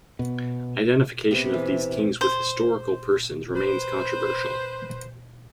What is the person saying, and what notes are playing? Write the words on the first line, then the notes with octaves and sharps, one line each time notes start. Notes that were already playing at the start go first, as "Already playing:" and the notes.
Identification of these kings with historical persons remains controversial.
B2
C3 B3 G4
E3
C5
B4 C5